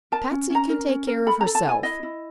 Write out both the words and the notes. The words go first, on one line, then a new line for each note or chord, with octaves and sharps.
"Patsy can take care of herself."
A#4 A5
C#4
C#4 A#5
A#4
C#4
A#4
A4 B5
A#5
A4
A5
E4 G#5
E4 D#5
E4